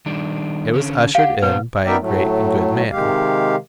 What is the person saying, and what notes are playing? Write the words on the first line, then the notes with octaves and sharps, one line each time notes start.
It was ushered in by a great and good man.
D#3 G3 D4
D3 C#4
G4 F5 F#5
A#2 B3 B4 C5
B3 D#4 A#4 D5 E5 G5
A2 F#3 A3
C3 D#3 G#3 G4 F5